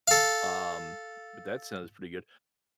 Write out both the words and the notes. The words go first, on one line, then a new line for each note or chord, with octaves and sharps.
um, but that sounds pretty good.
A4 F5